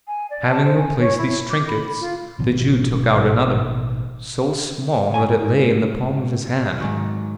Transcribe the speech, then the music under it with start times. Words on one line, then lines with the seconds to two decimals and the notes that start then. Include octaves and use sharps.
Having replaced these trinkets, the Jew took out another: so small that it lay in the palm of his hand.
0.07 G#5
0.30 D5
0.49 A5
0.65 C5
0.77 G#5
1.00 C#5
1.18 E4
1.50 D6
1.67 B5
2.00 F4
2.39 A1 B2 D#3 F3
5.14 G#2 G#5
6.78 G#2 D#3 F#3